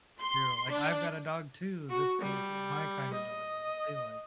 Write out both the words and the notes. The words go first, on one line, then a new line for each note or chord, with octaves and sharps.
Yeah, like, "I've got a dog too. This is w my kinda dog and what they like."
C6
D4
F#4
G3
D#5